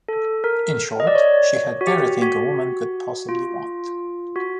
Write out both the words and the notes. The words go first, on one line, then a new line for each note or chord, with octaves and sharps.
In short, she had everything a woman could possibly want.
A4
A#4
D#5
D5
C#5
F#4
G4
F#4
F4
F#4